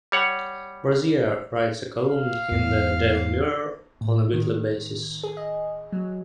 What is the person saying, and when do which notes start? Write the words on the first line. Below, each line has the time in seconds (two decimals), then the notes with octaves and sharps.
Brazier writes a column in the "Daily Mirror" on a weekly basis.
0.12 G3 C#5 F#5
2.09 F5
2.51 E2 G#2 B3
4.01 A2
4.33 D#3
5.23 G#4
5.37 D#5
5.92 F#3